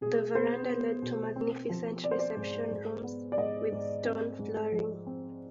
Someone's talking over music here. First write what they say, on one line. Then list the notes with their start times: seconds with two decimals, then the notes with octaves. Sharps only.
The veranda led to magnificent reception rooms with stone flooring.
0.01 B2 G#4
0.35 B3 C5
0.69 B3
1.02 B2
1.36 C4
1.69 F3
2.03 C4 D5
2.11 C5
2.19 D5
2.37 G#2
2.71 G#2
3.04 B3
3.32 D5
3.37 G#2 D#5
3.72 G#2
4.05 C4
4.39 G#2
4.72 F3
5.07 C4